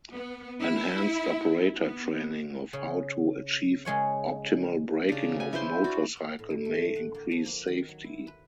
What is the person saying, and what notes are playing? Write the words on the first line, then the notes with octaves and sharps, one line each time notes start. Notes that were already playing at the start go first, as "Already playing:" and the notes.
Enhanced operator training of how to achieve optimal breaking of motorcycle may increase safety.
B3
E4
B3
C#3
C#3 G#3 C#5 F#5
C#3 D4
G#5
E4 B4 C5 C6
D4 F#4
F#5
A2
D3
A3
F#5
A#3
F3
A#3
D#3
F#3
E4
B4